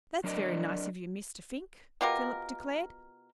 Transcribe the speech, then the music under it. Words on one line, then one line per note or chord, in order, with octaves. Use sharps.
"That's very nice of you, Mr. Fink," Philip declared.
F#3 D4 A#4 D5 D#5
B2 F4 G4 A#4